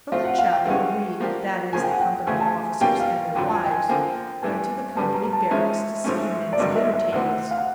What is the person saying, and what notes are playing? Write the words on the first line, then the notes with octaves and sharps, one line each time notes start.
From the chapel we--that is, the company officers and their wives--went to the company barracks to see the men's dinner tables.
F3 A3 C4 F4 F5
F#5
F5
G5
G2 E3 G#3 C#4 F#5
F3 A#3 D4 G4
C#3 F3 A#3 G#5
G5
F#5
G5
D2 C#3 E3 A3 G#5
A5
G#5
B2 G3 A#3 C#4 F4 G5
F5
F2 D3 F#3 G5
A5
G#5
G5
G#5
D3 F3 A#3 G5
G2 E3 A3 D4 G#5
G2 D3 G3 B3 A5
A#5
A#5
A5
G#2 F3 G#3 C#4 E5
G#1 G#2 F3 A3 C#4
D5
G#1 G2 D3 F#3 A#3 D#5
E5
E5
D2 C3 E3 F#5
F5
F#5